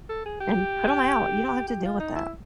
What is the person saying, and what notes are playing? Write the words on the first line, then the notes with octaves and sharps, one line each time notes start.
An put 'em out, you don't have to deal with that.
A4
G#4
G4
G4
F4
D#4
E4